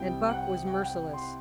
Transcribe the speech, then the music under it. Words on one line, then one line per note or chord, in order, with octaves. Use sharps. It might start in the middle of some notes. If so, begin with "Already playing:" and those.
And Buck was merciless.
Already playing: C2 C3 G3 G5
F#5
G5
G5
F#5
G5
C6